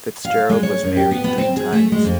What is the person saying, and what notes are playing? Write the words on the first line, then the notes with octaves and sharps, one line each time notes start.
Fitzgerald was married three times.
F5
G#3
C#5
F#2
G4
B3
B3
C4
G#4
A3
G#3
F2